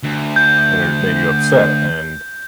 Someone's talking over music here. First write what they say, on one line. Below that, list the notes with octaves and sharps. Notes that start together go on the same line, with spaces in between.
and it made you upset and
D2
G6